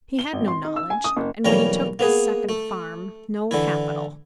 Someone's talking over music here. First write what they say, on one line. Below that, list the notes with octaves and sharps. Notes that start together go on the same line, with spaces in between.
He had no knowledge, and, when he took this second farm, no capital.
G7
G#1
C6
D#4
E6
G#5
D#6
F#1
B1 E3 G3 A#3 C#4 A#5
A#3 B3 G#4
A3
D3 E3 E4